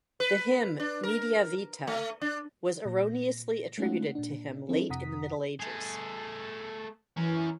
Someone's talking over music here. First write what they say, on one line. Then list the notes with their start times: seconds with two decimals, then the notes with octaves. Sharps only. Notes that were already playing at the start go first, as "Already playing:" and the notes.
The hymn "Media Vita", was erroneously attributed to him late in the Middle Ages.
0.20 B4
0.80 D4
1.03 A#4
1.87 A3
2.21 D4
2.85 A#2 A#6
3.78 G#3 A3 C#4 D#4 F4 F#5
4.15 A#2 D4
4.69 F3 C4 D4 E4 A4
4.90 F2 C3 F#5 A#5 D#6 B6
5.60 A3 G#4
7.17 E3 C#4 A#4